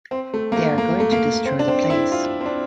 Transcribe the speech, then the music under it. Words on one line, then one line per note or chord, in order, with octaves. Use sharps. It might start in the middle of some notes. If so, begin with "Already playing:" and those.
They are going to destroy the place.
C4
A3
A#3
A3
A#3
A3
A#3
C4
D4
C4
E4
F4
C4
D4